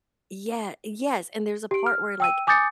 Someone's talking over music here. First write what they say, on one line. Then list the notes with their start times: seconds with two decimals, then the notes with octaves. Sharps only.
Yeah, yes, and there's a part where, like,
1.71 G4 D7
1.86 F6
2.20 G5 E6 D#7
2.47 G#5 D6 D#6 G6 A6 C#7